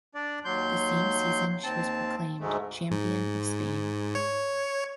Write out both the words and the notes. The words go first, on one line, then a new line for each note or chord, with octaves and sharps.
The same season she was proclaimed Champion of Spain.
D4 D5
D#2 F#3 C6 G6
D#2 C4 A5
D2 G#2 G#3 A3
G#2
C#5